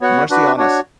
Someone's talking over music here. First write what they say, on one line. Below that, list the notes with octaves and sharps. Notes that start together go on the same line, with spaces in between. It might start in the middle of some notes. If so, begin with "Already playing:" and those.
Mercy on us!
B3 F#4 C#5 F#5
D4 F#4 B4
D4 F#4 C#5